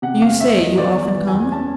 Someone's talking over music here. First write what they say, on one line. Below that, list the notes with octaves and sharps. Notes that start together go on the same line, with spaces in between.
'You say you often come?'
C3 F#5
E2 F5
E2 E5
E2 D#5
E2 D5
E3
D5
E3
G#5
E2
C#4 A5